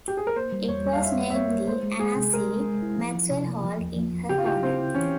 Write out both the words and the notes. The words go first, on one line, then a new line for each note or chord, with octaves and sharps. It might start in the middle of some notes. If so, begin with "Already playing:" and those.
It was named the "Anna C. Maxwell Hall" in her honor.
G4
G#4
A#4
A#3 C5
G3
E2 C#5
G3
F5
F2 E5
A#3
E5
A#3 C#5
A#3
G#3 C5
G#3
G#3 G#4
C3
G#3 A#4
G#3
G#3
E4
F3
F3
C3
A#3
F3
E2
F3
F3
C#3 G4
F4
E4 G4
C#3 C4
E4
E3 C#4